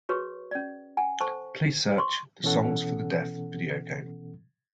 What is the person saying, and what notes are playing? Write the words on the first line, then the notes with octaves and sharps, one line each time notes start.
Please search the Songs for the Deaf video game.
F#4 G#4 A#4 B4 C#5 C#6
C#4 D5
F#5 G#5
A4 C5 A5 C#6
C6 C#6
B2 E3 B3 C#4 A4 F#5